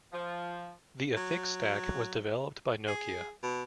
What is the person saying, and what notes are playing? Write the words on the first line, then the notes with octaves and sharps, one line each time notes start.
The Affix stack was developed by Nokia.
F3
F#3
G#4
B2